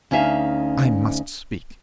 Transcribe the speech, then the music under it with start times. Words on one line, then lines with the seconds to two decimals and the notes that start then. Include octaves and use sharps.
I must speak.
0.11 D2 C#4 D#4 E5 F5